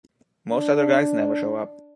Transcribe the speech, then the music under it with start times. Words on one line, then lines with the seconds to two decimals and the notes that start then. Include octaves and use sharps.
Most other guys never show up.
0.51 D4